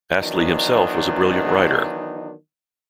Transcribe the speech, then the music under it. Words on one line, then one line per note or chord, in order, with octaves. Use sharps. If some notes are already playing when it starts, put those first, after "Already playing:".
Astley himself was a brilliant rider.
D#3 E3 F#3 B3 D4 D#4